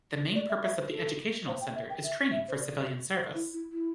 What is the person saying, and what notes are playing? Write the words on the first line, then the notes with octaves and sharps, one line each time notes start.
The main purpose of the Educational Center is training for civilian service.
D5
E5
E5
C5
A4
C5
G5
E5
G5
E5
E5
C5
D5
C5
E4
E4
E4